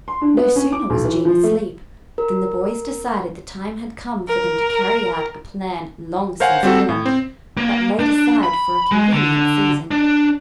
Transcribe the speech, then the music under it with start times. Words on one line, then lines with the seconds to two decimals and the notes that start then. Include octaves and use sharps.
No sooner was Jean asleep than the boys decided the time had come for them to carry out a plan long since formed, but laid aside for a convenient season.
0.08 C6
0.22 D4
0.37 B3
0.56 C#4
0.72 D6
0.90 B1
1.05 E3
1.25 F3
1.44 A3
2.18 A#4
4.28 A#4
6.40 A#4 C5 C#5 F5 F#5 G#5
6.63 G3 C4 F#4 A4
6.89 A2
7.06 C4
7.57 A#3
8.00 D4
8.43 B5
8.91 G#3
9.12 D3
9.91 D4